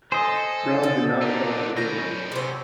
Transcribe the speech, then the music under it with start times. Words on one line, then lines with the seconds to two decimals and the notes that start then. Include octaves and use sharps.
Brown did not cross the river.
0.12 A4 C5 D#5 G#5
0.83 D3
1.22 D4 D#4 A#4
1.77 B2 C#4 G6 A#6
2.32 C3 C5